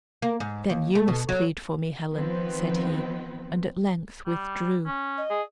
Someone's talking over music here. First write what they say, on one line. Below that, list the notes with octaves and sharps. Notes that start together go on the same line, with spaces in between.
'Then you must plead for me, Helen,' said he, and at length withdrew.
A#3
G#2
D#2
A3
B2
F#3
D#3 F3 B3 C4 B4
G3
C#4
D#5
G#4